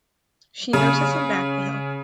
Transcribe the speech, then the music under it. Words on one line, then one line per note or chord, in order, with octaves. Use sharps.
She nurses him back to health.
C#3